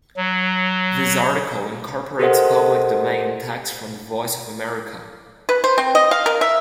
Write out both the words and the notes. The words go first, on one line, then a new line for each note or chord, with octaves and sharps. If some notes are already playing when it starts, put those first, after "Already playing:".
This article incorporates public domain text from the Voice of America.
F#3
G4 A4 A#4 C5 D#5 F#5
B4
C5
C4
D#5
F5
A#4
E5